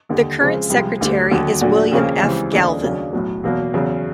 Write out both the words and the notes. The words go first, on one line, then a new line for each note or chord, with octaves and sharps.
The current secretary is William F. Galvin.
D#2 D3 G3
C#3 F3 G#3 C4
C2 C3 F3 G#3
D2 D3 G3
D#2 D3 F#3
A#2 F#3 A3 D4 F#4
D#2 C#3 F3 A#3 C#4
C#2 C#3 E3 G3 C4
D#2 C#3 F3 A3 D4
D#2 C#3 F#3 A#3 D4
B1 A2 F#3
E2 B2 F#3 A#3
E2 C#3 F#3